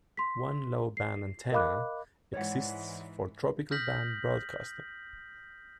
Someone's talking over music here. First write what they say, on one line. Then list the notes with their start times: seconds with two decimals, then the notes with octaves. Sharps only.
One Low Band antenna exists for Tropical Band broadcasting.
0.17 C6 B6
0.97 C7
1.52 A#4 D#5 F5 B5 D6 F#6
2.33 G#2 E3 G#3 C#5 D5 F#5
3.71 D#6 F6 G6 A#6 B6 F#7